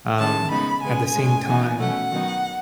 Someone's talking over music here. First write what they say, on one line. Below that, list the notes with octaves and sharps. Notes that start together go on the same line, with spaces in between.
um, at the same time,
D#3 G#3 C#4 A5
C#3 G#3 B3 D#4 B5
C#3 G#3 B3 G#5
A2 G#3 C#4
E3 B3 D#4
B2 A3 C#4 F#5
D#3 F#3 B3 D#4